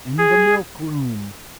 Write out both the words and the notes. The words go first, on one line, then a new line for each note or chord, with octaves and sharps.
"In the milk-room."
G#4